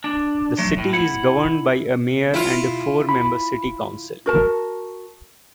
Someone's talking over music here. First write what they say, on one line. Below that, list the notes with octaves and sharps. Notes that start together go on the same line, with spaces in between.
The city is governed by a mayor and a four-member City Council.
D4
F#3 A3
A2
E4 F#5
E4 F4
B5
F#4 A#4 A5